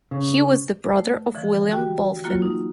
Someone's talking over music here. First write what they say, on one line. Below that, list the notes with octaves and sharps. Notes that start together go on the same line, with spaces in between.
He was the brother of William Bulfin.
C#3
A3
D3 E3 F3
F#4 G4 G5
F#3 A#3 F4 F#4
D#4